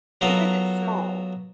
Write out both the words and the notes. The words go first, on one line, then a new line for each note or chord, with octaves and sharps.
even if it's small,
F#3 B3 F4 F#4 A4 A#4